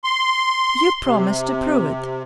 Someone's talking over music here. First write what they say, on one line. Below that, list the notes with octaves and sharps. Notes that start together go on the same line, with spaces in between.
You promised to prove it.
C6
C3